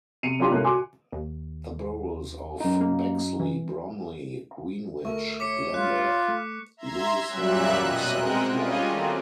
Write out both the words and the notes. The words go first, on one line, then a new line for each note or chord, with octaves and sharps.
The boroughs of Bexley, Bromley, Greenwich, Lambeth, Lewisham and Southwark.
C3 C7 C#7 D#7 F7
F#2 D4 F4 G4 C6
C2 G#2 D3 A#3 C#5 F#6
F#4 G#5 C6 D6
D#2
F#2 D#4
A#3
E3
D2 A3 A#4 E5 C#6
C#5 D6 B6 C#7
F4 F#6
A3
E5 A#5 C6 G#6
F#2 A#2 F#3 G3 E5 F#6
B2 D#5 F#6
G#3 C4 A#4 F#5 G5
G3 C#4 F4 G#4 D#5
D#3 F#3 A3 A#3 C4